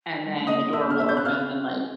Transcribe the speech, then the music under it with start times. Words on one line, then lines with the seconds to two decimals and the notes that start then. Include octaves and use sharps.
And then the door will open, and, like,
0.25 G3
0.32 G#3
0.39 A3
0.47 A#3 D#5 D#6
0.73 E5 E6
0.86 B3 F6
0.98 A#3 E5 E6
1.09 B3 G6
1.17 F#6
1.25 C4 F5 F6
1.52 C4
1.78 C#4